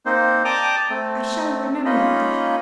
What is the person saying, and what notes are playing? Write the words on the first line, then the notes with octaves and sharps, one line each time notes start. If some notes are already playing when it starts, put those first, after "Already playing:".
I shall remember this.
A#3 C4 D#4 C5
D5 G5 A5 A#5 D6 D#6
A3 C4
A#3 C#4 D#4 F4 D#5 B5